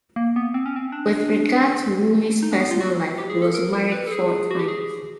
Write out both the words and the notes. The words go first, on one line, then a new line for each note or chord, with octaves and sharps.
With regard to Wooley's personal life, he was married four times.
A#3
B3
C4
C#4
C4
D4
D#4
D4
B3
F4
F#4
G4
G#4
A4
A#4
A#4
B4
A4
G#4
F#4
G4
G#4